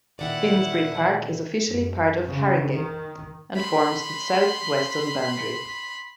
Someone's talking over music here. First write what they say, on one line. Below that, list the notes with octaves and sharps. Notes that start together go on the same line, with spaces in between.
Finsbury Park is officially part of Harringay and forms the south western boundary.
A#2 D#3 E4 D5 F#5
F#2
C#3
D#3
B5 C6